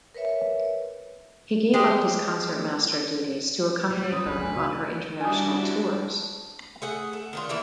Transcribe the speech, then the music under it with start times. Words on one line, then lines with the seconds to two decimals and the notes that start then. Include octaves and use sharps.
He gave up his concertmaster duties to accompany her on her international tours.
0.14 A#4 B4 C#5 E5
1.74 G#3 G4
3.91 G3
4.12 C#4 F4 B4 C6 D#6
4.26 F#1 C#2 F#3
4.41 F#3 A3 C4 G#5
4.56 C#3 C4 F#4 F5
5.21 G3 D4 E4 F#4 G#5 D#6
6.82 A3 G#4 F#5
7.13 A3
7.33 D#3 D4 F4
7.49 D3 E3 A#3 E4